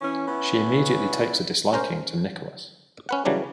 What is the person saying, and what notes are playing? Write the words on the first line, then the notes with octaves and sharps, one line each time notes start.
She immediately takes a disliking to Nicholas.
E3 C#4
B3 C#4 E4
C#4 A#4 C5
C#4 B4 F#5
C#3 E3 F#3 G3 D4